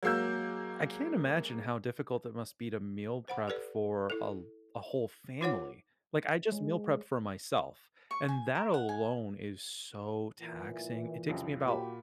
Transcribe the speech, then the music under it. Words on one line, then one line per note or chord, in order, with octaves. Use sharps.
I can't imagine how difficult it must be to meal prep for a l a whole family, like, I just meal prep for myself, and that alone is so taxing. It takes me about
F#3 G#3 A#3 E6 G6
C5 F#5 B5
G4 A4 B4 D5
E4 A4
D#4 F4 C5 C#5 F#5 D6
G#3
C#6
G#5
A#4
F#5
G#5
A#2 E3
C2 F2 C#3
A#2 F#4 G4 B5